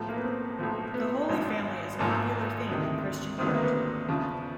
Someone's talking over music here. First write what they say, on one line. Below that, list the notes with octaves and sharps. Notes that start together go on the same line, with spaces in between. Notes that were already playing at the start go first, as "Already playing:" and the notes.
The Holy Family is a popular theme in Christian art.
Already playing: B1 A2 F3
A#3
B3
C4
B1 A2 F3
B3
G#1 G#2 F3
G#1 G#2 F3 A#3
D2 C3 D#3
D2 C3 D#3 C4
B3
A#3
B3
E2 C#3 F3